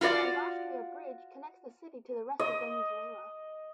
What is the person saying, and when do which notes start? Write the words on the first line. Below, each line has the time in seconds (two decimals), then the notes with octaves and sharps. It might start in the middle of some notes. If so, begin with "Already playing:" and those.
The Angostura Bridge connects the city to the rest of Venezuela.
0.01 F4 F#4 A#4 D5 F5
2.40 D#5